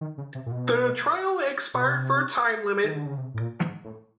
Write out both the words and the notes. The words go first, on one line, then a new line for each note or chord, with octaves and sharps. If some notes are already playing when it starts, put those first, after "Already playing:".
The trial expired for time limit.
D#3
C#3
C3
A#2
B2
B2
C3
D#3
D3
C#3
C3
A2
A#2
G#2
A2